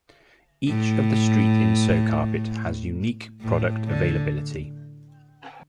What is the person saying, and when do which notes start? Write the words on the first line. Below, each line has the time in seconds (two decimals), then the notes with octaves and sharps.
Each of the street in Sowcarpet has unique product availability.
0.68 A2
3.41 A2
3.86 D3